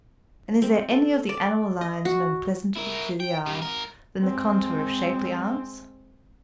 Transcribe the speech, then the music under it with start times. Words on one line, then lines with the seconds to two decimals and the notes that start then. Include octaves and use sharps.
And is there any of the animal lines known pleasanter to the eye than the contour of shapely arms?
0.62 C4
0.91 A4
1.29 D5
1.81 D#5
2.05 F#4
2.76 E4 A#4
3.20 G5
3.46 C#3 G3
3.62 G#2 A#4
4.21 G#3 C4